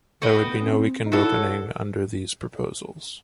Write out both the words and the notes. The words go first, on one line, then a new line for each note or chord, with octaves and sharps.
There would be no weekend opening under theses proposals.
A3 F#4 B4 D#5 G5
B3
C#4
C4
D#4
E4 F#4 A4 C#5